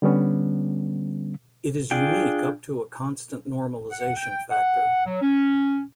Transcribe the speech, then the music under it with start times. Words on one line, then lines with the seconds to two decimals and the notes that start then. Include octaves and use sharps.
It is unique up to a constant normalization factor.
0.02 D3 G3 B3 C#4
1.91 D4 F4 G#4 G5
3.90 F#5
4.17 G5
4.50 F#5
5.05 F#3
5.21 C#4